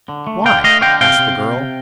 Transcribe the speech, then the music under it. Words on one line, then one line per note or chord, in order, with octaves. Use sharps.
"Why?" asked the girl.
D3
A3
D3 F5 G5
A3 D#5 F5
D3 F5 G5
C3 F5 G5
C3
C3
C3